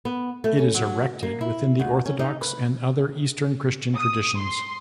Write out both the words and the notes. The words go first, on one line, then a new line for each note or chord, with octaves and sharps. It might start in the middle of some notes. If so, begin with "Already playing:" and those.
It is erected within the Orthodox and other Eastern Christian traditions.
B3
A3
C#4
F#3
A#3
E4
D2
C#4
D#4
B4
D#6
C6